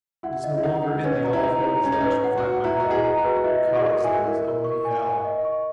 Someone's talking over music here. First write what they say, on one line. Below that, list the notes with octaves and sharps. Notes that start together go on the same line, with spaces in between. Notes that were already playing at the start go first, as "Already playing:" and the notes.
It is no longer in the olive hills that I shall find my Heaven; because there is only Hell... .
E4 F#5
D#5
E4
D#4 F#5
F#5
C#4 B4
A#5
E4
D#4 A#5
A#5
C#4 A#5
D#4
C#4
B4
F#5
F#4
F#5
E4 A#5
F#4 D#5
G#4
A#5
F#4
B4
F#4
E4 D#5
F#4 D#5
G#4
F#4 A#4
E4 G#5
F#4
E4 A#4
A#4
C#6
G#5
G#5
D#5
C#6